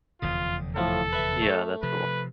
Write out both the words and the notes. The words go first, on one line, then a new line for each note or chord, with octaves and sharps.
Yeah, that's cool.
F1 E2 D3 F4 D#6
A2 F3 A4
B4 E5
A3
C3 F3 B4